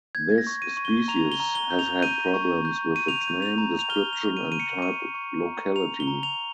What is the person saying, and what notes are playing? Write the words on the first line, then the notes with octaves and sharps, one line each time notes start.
This species has had problems with its name, description and type locality.
G6 G#6
A#6
C#6
D#7
C#6
G7
A#5 F7
G7
A#5
G7
G6
F7
G6 D#7
C#6
G6
C#6 D#7
F7
D#7
G6
F7
A#5
F7
F6 G7
F7
C#6
D#7
A#5 D#7
C#7
C#6 D#7
C#6
A#5
A#5 F7
G7
A#5
F7